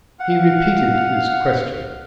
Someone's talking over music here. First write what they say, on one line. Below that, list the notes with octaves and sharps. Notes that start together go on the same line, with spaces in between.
He repeated his question.
F5 F#5